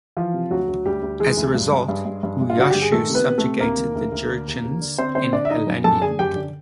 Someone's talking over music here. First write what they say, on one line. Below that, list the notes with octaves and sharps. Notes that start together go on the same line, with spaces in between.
As a result, Wuyashu subjugated the Jurchens in Helandian.
E3 F3 F4
C3
D2 F#3 F#4
D2
D2 G3 G4
D2
E3 G#3 G#4
D2
G2
G2
G2
G2
G2
G2
F4
D3 F#4
G2 G4
G#4
D#3 A3 A4
C3
B3 B4
C3
A3 A4
C3
D2 A#3 A#4
D#3
D2
D2
D3
D#2
D#2
D3
D3 C4 C5
D3 C4 C5
D3 D4 D5
E5
D3 D#4 D#5
F#2
F#2 A4 A5
D3 G#4 G#5
F#2 G4 G5
D3